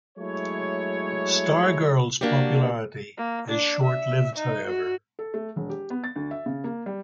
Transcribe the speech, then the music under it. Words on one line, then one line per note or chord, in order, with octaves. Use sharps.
Stargirl's popularity is short-lived, however.
F#3 G#3 A3 E4 C#5
A#3 D4 F#4 G4
A#3
D4
E5
D#4
F#4
A4
A3
E1
G4
B3
A6
D2
E5
C#3
A#3
G3